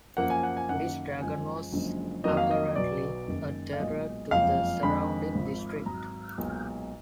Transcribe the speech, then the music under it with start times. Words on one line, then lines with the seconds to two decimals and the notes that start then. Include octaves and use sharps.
This dragon was apparently a terror to the surrounding district.
0.17 F#2 F3 A#3 F#5
0.30 G#5
0.43 F#5
0.57 G#5
0.69 F#2 D#3 A#3 F#5
1.21 F#2 F3 G#3 G#5
1.72 F#1 F#2 D3 F3 G#3
2.24 F2 D#3 F#3 A#3 D#5
2.37 F5
2.51 D#5
2.76 B1 B2 F#3 D5
3.27 F#1 F#2 D#3 G#3
3.73 F5
3.79 B1 A#2 G#3 D#5
4.31 F#1 F2 F3 G#3 F5
4.83 F2 D3 G#3 B5
5.34 G#1 G#2 F3
5.86 G#1 G#2 F#3 A#5
6.38 B1 A#2 G#3